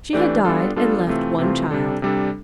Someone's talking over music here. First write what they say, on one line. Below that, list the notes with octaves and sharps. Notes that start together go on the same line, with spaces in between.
She had died and left one child.
E3 A3 D4 G4 D5
G3 B3 D4 F4 A4
G3 B3 D4 F4 A4
C3 E3 A3 C4 F4
C3 E3 A3 C4 F4
C3 G3 D4 A4
C3 G3 D4 A4